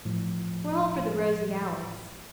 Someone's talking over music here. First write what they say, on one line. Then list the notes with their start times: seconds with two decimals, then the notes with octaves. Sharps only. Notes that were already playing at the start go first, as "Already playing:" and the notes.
We're all for the rosy hours.'
0.05 A2 F3